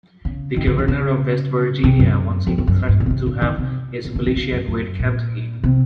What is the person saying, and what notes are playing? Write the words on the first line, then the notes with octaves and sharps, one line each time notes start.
The governor of West Virginia once even threatened to have his militia invade Kentucky.
C#3
D#3
C#3
D#3
C#3
C3
F#2
F2
F2
F#2
G#2
A#2
C#3
C3
C#3
D#3
C3
C#3
C#3
D#3
C#3
F#2
F#2
A#2
C3